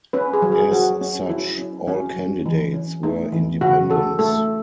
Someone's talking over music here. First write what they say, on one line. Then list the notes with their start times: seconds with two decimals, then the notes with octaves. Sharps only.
As such, all candidates were independents.
0.13 C#4 B4
0.33 G#4
0.42 F#3
0.52 G#4
0.71 F#3 F#4
1.01 C#4
1.29 F#3 E4
1.58 C#4
1.87 F#3 C#4
2.16 F#3
2.46 E3
2.74 C#4
3.03 A3 D#4
3.32 E3
3.61 C#3 F#4
3.90 C#3 A4
4.19 A3 A4